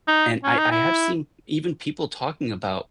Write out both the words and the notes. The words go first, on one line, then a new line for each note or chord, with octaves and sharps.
And I I have seen even people talking about,
D#4
C#4
D#4
E4